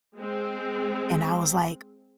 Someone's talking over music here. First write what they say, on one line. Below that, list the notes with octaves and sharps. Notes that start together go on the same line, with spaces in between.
And I was like,
G#3 C4